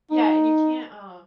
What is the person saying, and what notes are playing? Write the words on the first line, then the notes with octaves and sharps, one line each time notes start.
Yeah, and you can't, uh
D#4